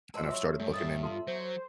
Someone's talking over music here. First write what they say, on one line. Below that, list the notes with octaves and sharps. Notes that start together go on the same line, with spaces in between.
and I've started looking in
G#2 F3 A#4 A5 C6 E6
F#3 E5 C6 C#6
G2 A3 C#5
E2 E5 D#6 A6
F4 A4 A5 C6
F#3 C5